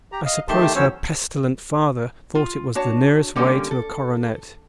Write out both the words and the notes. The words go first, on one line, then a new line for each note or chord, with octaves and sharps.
I suppose her pestilent father thought it was the nearest way to a coronet.
G4 A#5
D#5 F5
D#3 A3 G4 A5 C6
E2 F#3 C#4 C5 C#5 E6
F4
D4 F#4 C#5 A5
D3 G3 A#3 C#4 G4 A4
A4